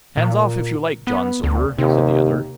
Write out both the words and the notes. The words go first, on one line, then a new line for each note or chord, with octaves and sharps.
"Hands off, if you like, John Silver," said the other.
A#2
B3
D2
D#2 C3